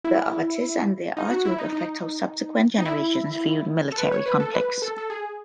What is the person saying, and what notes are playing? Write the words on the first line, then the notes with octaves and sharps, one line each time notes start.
The artists and their artwork affect how subsequent generations view military conflicts.
E4
D#4
F#4
E4
D#4
D#4
D#4
E4
A4
B4
C#5
B4
A4
B4
A4
A4
G#4